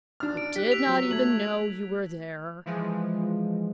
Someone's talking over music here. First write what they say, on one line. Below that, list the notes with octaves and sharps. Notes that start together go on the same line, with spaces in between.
"I did not even know you were there."
D4 F6
D7
G4 F#6 B6
E6 B6 F7
F#3
A3 G#6 F#7
E3 F3 G#3